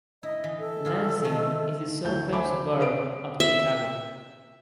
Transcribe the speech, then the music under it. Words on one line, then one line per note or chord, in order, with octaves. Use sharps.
Lansing is a southern suburb of Chicago.
E4 D#5
E3
A4
E3 F4 G#4
D#3 F3 A3
D2 E4 G6
C5 E5 G#5 B5 D6
B4 D#6 D7
E5